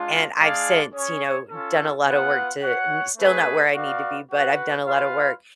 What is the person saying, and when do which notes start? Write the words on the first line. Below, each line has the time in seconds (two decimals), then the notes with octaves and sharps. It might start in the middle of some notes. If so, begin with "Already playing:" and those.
and I've since, you know, done a lotta work to n still not where I need to be, but I've done a lotta work,
Already playing: G#3 D4 F4
0.37 G#3 D4 G#4 D5 F5
0.93 C#4 G#4 C#5
1.49 C#4 F4 A4
2.05 B3 F4 B4 F#5
2.61 F#4 C#5 F#5
3.17 A3 C#4 G#4 B4
3.74 F#4 B4 D5 F5
4.30 F#4 B4 F#5
4.86 F4 B4 F5